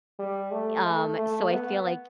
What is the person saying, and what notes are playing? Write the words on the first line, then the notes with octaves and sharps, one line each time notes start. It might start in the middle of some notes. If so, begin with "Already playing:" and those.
Um, so I feel like,
G3
A3
A3
A3
B3